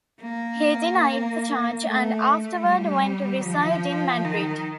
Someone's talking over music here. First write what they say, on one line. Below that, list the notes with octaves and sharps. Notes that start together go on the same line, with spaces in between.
He denied the charge and afterward went to reside in Madrid.
A#3
A3
G3
F3
D#3